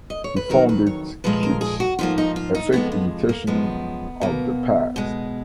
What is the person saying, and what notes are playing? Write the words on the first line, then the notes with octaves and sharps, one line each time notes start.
He found it "kitsch, a fake imitation of the past".
D#5
C#5
B4
F2 D#3 F#3 A#4
B4
C#5
A#2 F3 G#3 B4
A#4
G#4
F#4
G#2 F3 A#3 F4
D#4
F4
D#4
F2 F3 G#3 B3
B3
A#3
F#2 F3 G#3 B3
B2 A#3
B2 G#3